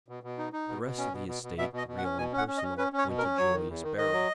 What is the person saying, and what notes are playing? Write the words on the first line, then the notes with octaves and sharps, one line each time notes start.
The rest of the estate, real and personal, went to Julius Beryl.
B2
B2
D#4
D#4
B2
B2
C#4
B2
B2
B2
B2 E5
B2 D#5
B2
F#5
C#4
B2 G#5
C#4
F#5
C#4
D#5
C#4
C#4 B4
C#4
C#5
B2
A#4
C#4
F#3 C#5
D#3
E2
D#3
D#3 D#5
F#3